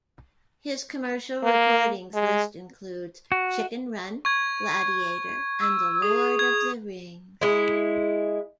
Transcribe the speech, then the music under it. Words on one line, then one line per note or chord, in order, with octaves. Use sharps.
His commercial recordings list includes "Chicken Run", "Gladiator" and "The Lord of the Rings".
A#3
G#3
F#4
C#6 G#6
E6
G#4 D#6
G#6
G#3 E4